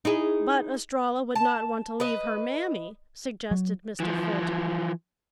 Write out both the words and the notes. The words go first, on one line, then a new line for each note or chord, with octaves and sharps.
"But Estralla would not want to leave her mammy," suggested Mr. Fulton.
D#4 E4 G#4
A5
B4 D#5
F#3
E3 F3